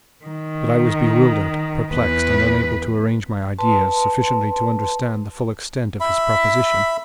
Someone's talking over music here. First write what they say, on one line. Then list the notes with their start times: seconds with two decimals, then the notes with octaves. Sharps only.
But I was bewildered, perplexed, and unable to arrange my ideas sufficiently to understand the full extent of his proposition.
0.25 D#3
1.92 E2 B4
3.59 B4 A5 C6
6.00 E5 B5